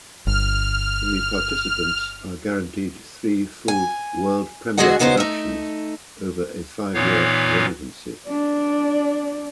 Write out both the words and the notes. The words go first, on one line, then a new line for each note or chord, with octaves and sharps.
The participants are guaranteed three full world-premiere productions over a five-year residency.
G1 F6
G#5
D3 G#3 F#4 G#4 D#5 F#5
F#2 C#3 B3 D#4 A#4 C5
A3 D#4
A#2 E3 B3 D#4 C#5 F5
D4 D5